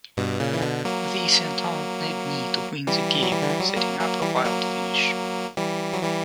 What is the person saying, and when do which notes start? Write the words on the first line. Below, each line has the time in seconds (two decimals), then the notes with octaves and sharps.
They sent out Nedney to win the game, setting up a wild finish.
0.17 G2 B2
0.40 A#2 C#3
0.53 E3
0.62 B2 D3
0.85 F#3 A#3
2.87 E3 G3
3.23 F#3
3.32 E3 G3
3.42 D3
3.50 E3
3.59 F#3
3.69 G3
3.76 F#3 A#3
4.00 F#3 A#3
4.21 E3 G3
4.35 G3
4.45 F#3 A#3
5.57 E3 G3
5.93 F#3
6.03 E3 G3